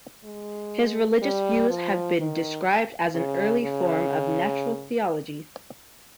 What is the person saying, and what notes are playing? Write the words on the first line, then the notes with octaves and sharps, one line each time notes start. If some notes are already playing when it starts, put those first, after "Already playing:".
His religious views have been described as an early form of natural theology.
G#3
G3
F3
D#3
C#3
C#3